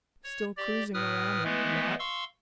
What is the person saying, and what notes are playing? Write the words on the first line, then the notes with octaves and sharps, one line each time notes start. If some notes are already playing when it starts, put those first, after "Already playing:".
"Still cruising around in your yacht?"
C#5
G4 D5
A2 B4 D#6 F6
E3 G#3 A3 B3
F5 C6 C#6 E6